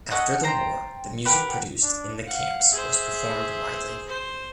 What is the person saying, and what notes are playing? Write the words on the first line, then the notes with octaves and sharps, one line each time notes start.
After the war the music produced in the camps was performed widely.
C#4 A4 D#5 F#5
C5 G5 A5 A#5
G4 A#4 B4 F#5
D4
F5 F#5
G#4 C5 E5
C5